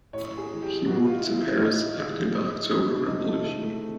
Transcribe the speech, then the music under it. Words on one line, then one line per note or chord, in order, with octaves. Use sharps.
He moved to Paris after the October Revolution.
A2 C#5
G#4
E3 G#3
G4
A2 F#4
F4
E3 G#3 E4
E4
A2 D#4
E3 G#3
A2
E3 G#3
D4
C3 D#4
A3
E3 G#3 A3
A3
C3